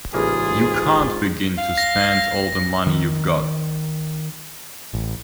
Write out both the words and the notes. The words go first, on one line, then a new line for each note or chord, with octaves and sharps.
You can't begin to spend all the money you've got.
A1 G#2 C#3 A#3 F4 G#4
F5
A#6
D#3
A1